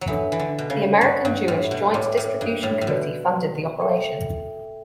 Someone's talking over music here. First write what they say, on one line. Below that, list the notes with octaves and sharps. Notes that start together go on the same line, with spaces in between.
The American Jewish Joint Distribution Committee funded the operation.
F#3
E3 D4 A4 E5
E3
D3
B2
C#3
G2 C#5 F#5 C#6
G2
A2
B2
A2 B4 D5 G5 D6
A2
G2
A2
A2
B2 F#4 B4 D5
A4 E5 G5